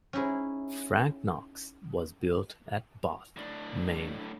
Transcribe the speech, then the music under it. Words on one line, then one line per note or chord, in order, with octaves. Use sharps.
"Frank Knox" was built at Bath, Maine.
C#4 D#4 E4 G#4
A2 D4